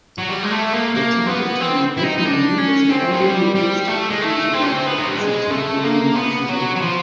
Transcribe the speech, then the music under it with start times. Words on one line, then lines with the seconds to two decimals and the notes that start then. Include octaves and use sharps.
The Templetown nickname was widely used due to the influence of Temple University.
0.18 F#3
0.29 G3
0.43 G#3
0.51 A3
0.73 A#3
0.95 A#3
1.26 B3
1.60 C4
1.97 E4
2.03 D#4
2.18 D#4
2.25 D4
2.58 C#4
2.90 C4
3.11 F#3
3.22 G3
3.55 G3
3.88 A3
4.10 G#3
4.21 A3
4.53 C4
4.62 C#4
4.72 C4
4.87 B3
4.98 F#3
5.08 G3
5.19 G#3
5.51 A3
5.84 A#3
6.16 B3
6.50 F#3
6.76 F#3
6.82 F3